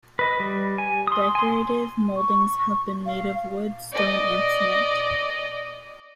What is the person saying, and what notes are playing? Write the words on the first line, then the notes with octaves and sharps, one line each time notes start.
Decorative moldings have been made of wood, stone and cement.
B4 D#5
G3
G#5
C6 D#6
G#5 C6
C#6
F5
D5 D#5